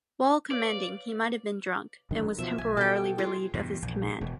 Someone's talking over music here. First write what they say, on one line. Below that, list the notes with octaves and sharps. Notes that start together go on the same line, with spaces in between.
While commanding, he might have been drunk, and was temporarily relieved of his command.
B4 C#5 D5 F5
F#2 D3 D#3
B2 F3 E5
B1 G#5
B2 A4 G5
G#3 F4 G#4
E2 G2 B2
A#1
E1